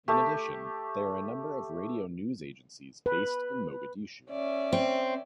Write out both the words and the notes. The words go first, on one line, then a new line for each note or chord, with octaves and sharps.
In addition, there are a number of radio news agencies based in Mogadishu.
A3 G4
B4
C#4 D5 E5
C4